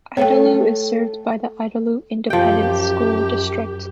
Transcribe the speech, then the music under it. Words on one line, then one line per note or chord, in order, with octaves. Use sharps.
Idalou is served by the Idalou Independent School District.
A3 A4 C#5 F5 G5
F#2 F3 G4 G5